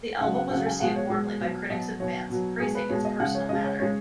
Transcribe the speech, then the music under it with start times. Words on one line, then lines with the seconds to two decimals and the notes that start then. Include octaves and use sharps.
The album was received warmly by critics and fans, praising its personal matter.
0.21 C#3 F#3 F#5
0.36 F#5
0.51 C#3 F#3 F#5
0.66 G#5
0.80 B2 G#3 F#5
0.96 C#5
1.10 B2 G#3
1.40 B2 F#3
1.70 B2 F#3 D#5
2.00 B2 F#3 C#5
2.30 B2 F#3
2.60 B2 G#3 G#4
2.75 B4
2.89 B2 G#3 C#5
3.05 D#5
3.20 C#3 G#3 F#5
3.35 C#5
3.49 C#3 G#3 D#5
3.64 C#5
3.80 C#3 G#3 C#5